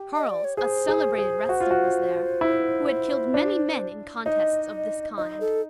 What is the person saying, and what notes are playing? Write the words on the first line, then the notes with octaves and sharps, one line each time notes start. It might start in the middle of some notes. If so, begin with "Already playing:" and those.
Charles, a celebrated wrestler, was there, who had killed many men in contests of this kind.
Already playing: G4
D#5
D5
C#5
G#4 C5
G#4
G#4
F#4
F4
F#4
E4
D4
D#4 D#5
D#4 D#5
A4